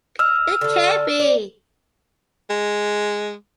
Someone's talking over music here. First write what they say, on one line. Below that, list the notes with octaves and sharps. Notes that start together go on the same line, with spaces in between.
It can't be.
D#5 E6 F6
D3 A4
D5
G#3